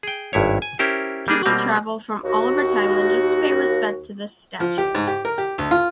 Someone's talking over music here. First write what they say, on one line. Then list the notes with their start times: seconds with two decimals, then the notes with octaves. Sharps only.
People travel from all over Thailand just to pay respect to this statue.
0.03 G#4 G5
0.33 G#1 G2 E4 C#5
0.62 G#5
0.79 C#4 E4 G4 A#4 C5
1.28 G3 A#3 D4 G#4
1.46 B2 G3 A#3 C4
2.24 D#2 F#4
4.60 F3
4.78 G4
4.95 G#2
5.07 G4
5.25 A#4
5.38 G4
5.58 D2
5.71 F4